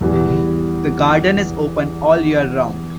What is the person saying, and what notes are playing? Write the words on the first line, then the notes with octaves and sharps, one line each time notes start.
The garden is open all year round.
E2 E3 G3